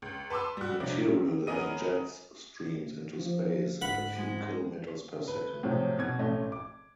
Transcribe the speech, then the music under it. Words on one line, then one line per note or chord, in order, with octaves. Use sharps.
Material in the jets streams into space at a few kilometers per second.
C#2
B4 A5 C6 D6 E6
G3 F#4
C3 F3 F#3 D4
D#3
B3 C#4 G#4 A#4 D#5 D#7
F3
G#2 F#5 B5
G#3
A4 B4
A2 C3 F3 F#3
B2 G#6
A1 A2 A3 C#4 D#5
D6